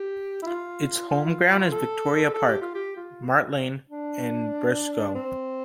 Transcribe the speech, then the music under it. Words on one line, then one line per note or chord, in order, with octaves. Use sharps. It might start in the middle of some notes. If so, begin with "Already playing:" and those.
Its home ground is Victoria Park, Mart Lane, in Burscough.
Already playing: G4
E4
F4
F4
A4
A4
G4
F4
G4
F4
D4
C4